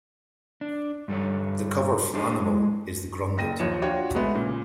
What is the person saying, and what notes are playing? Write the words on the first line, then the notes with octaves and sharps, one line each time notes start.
The cover Flanimal is the Grundit.
D4
G2 G3 A4 C#5
D4 G4 C5 C#5 D#5
G#3
F#1 G5 A#6 D#7
D#2 F3 C#5 E7
D4 F4 F#4 C#5 G5
G#3 A3 B3
A#2 C#3